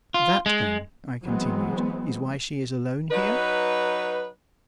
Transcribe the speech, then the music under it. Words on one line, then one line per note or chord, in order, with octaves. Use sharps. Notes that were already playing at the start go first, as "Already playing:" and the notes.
"That, then," I continued, "is why she is alone here?"
F4
G#3
E3 F#3 G#3 B3 C4
F#3 D#4 B4